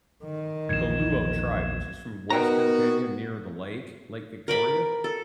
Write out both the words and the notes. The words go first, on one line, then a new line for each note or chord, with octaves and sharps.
the Luo tribe, which is from Western Kenya near the lake, Lake Victoria.
D#3
A#1 E2 A#2 G#6 E7
B3 D#4 F#4 A#4 G5 A#5
A#4 D5 B5
A4